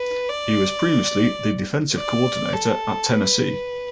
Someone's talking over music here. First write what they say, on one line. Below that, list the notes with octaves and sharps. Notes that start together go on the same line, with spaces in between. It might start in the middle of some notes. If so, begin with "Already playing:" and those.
He was previously the defensive coordinator at Tennessee.
Already playing: B4
D5
D5
A4
B4